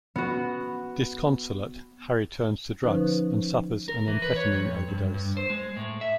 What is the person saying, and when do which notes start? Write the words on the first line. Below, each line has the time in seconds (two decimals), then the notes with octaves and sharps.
Disconsolate, Harry turns to drugs and suffers an amphetamine overdose.
0.16 B3 F#4
2.83 D3 F3 C#4 D#4 B4 C5
3.88 A#4
4.08 E3
4.22 B4
4.36 C#5
4.52 F2
4.88 G2
5.14 G2
5.37 C5
5.50 G#3
5.77 A2
6.01 E5